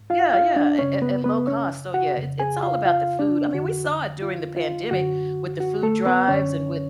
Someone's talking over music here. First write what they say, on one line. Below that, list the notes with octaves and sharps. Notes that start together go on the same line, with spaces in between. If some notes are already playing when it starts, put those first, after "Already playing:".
Yeah, yeah, at at at low cost, so yeah, it's it's all about the food. I mean, we saw it during the pandemic with the food drives and with,
Already playing: G#2
F4 F5
F4 F5
D4 D5
F#2 C#3 C#4 C#5
B3 B4
B3 B4
C#4 C#5
F#4 F#5
F2 C#3
G#4 G#5
F4 F5
F4 F5
D4 D5
F2 D3 F#4
F4
F4
F#2 D3 F#4
F#4
A3 A4
B3 B4
F#2 D3 C#4 C#5